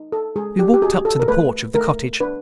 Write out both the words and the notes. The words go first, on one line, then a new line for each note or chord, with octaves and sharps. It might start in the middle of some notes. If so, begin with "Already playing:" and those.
We walked up to the porch of the cottage.
Already playing: D#4
A4
G#3 G#4
G4
G4
F#4 G#4
A4
A#4
A3 B4
A3 A#4
D4 B4